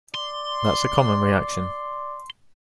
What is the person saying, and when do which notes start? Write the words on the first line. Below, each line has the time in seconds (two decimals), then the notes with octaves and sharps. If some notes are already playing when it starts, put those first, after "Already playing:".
That's a common reaction.
0.15 D5 C6